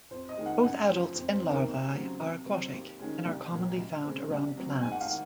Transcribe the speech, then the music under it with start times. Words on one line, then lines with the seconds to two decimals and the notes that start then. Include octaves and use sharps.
Both adults and larvae are aquatic, and are commonly found around plants.
0.11 F2 C5
0.29 D#5
0.37 D#3 G#3
0.46 F#5
0.63 F#2 F#5
0.90 C#3 F3 C5
1.15 F2 C5
1.33 C5
1.42 C3 D#3
1.50 A#4
1.68 D#2
1.95 C#3 F#3 C4
2.21 C3
2.46 F#3 C4
2.73 D#2
2.99 D#3 G#3 C#4
3.25 C2
3.52 A#2 F#3
3.77 C#2
4.04 C#3 G#3 C4
4.30 C2
4.56 C3 F#3 C4
4.82 G#2 G#5
4.92 F#5
5.01 F5
5.08 D#3 F#5